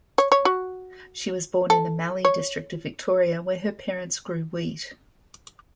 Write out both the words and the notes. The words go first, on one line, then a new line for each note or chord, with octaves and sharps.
She was born in the Mallee district of Victoria where her parents grew wheat.
C#5
C#5
F#4
A4
C#5